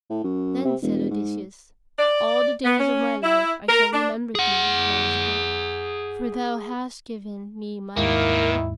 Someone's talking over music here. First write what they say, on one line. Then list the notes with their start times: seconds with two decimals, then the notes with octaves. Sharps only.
Then said Odysseus: "All the days of my life I shall remember thee, Nausicaa, for thou hast given me my life."
0.10 A2
0.24 F#2
0.65 C3
0.82 E1
1.10 G#2
1.98 D5
2.65 B3
2.79 C#4
3.23 E4
3.69 A#4
3.93 D4
4.35 G#4 F#5
7.97 D#2 G#2 D#3 A#3 E4